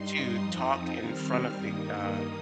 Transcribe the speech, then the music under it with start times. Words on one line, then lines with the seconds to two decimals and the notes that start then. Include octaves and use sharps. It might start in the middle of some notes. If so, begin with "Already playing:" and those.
to talk in front of the, uh
Already playing: G2 G3 D#4 C6
0.14 D#6
0.43 F2 F3 C4 D#4
1.00 D#3 G3 C4 F6
1.56 G2 D#3 A#3 D#4 D#6